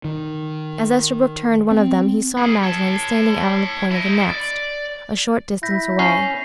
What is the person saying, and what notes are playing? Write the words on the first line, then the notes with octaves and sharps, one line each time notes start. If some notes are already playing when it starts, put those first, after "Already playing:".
As Esterbrook turned one of them he saw Magdalen standing out on the point of the next, a short distance away.
D#3
C4
A#3 G#4
C#5 A5
E4 D#5
D5
E4 G6 A#6 B6
C#4 C7 F7